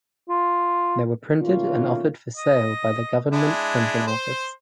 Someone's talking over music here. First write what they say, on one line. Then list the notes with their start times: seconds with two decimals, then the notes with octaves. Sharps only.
They were printed and offered for sale by the Government Printing Office.
0.29 F4
1.41 B2 D#3 A3 A#3 C#4 F4
2.37 D#5
3.32 G#3 D4 E4
4.07 C5 C6